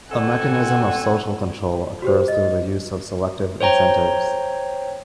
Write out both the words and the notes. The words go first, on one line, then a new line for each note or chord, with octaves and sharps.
A mechanism of social control occurs through the use of selective incentives.
C4 A4 F#5 G#5
F#4 G4 C5
D#5
C5 C#5 G5 A#5